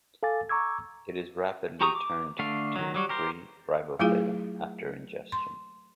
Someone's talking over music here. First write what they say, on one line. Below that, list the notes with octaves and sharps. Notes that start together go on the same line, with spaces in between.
It is rapidly turned to free riboflavin after ingestion.
A4 F5 G#5 D6 A6
A#5 C#6 D6 E6 G#6
F#4 G4 A#5 C#6 D#6
D6
D3 A3 F5
D#3 F#3
F#3 G3 F#4
G4 A#4 C5
F#3 A3 E4 F4 G#4 F5
C6